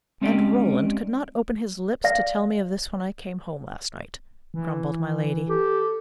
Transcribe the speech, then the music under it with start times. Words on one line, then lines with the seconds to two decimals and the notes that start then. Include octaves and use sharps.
"And Roland could not open his lips to tell me of this when I came home last night!" grumbled my lady.
0.21 G#3 C4 C#4 D#4 G4 D5
2.04 D5 F5 A#6
4.54 E3
5.49 G4 A4